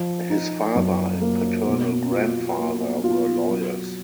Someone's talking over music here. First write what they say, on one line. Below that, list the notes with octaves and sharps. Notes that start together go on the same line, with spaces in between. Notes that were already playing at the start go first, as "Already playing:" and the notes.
His father and paternal grandfather were lawyers.
Already playing: F3
D#4
F#2
A#3
B2
F4
A#3
F4
F#3